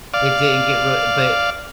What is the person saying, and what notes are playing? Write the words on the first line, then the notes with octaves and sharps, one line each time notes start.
It didn't get real but
D5 F5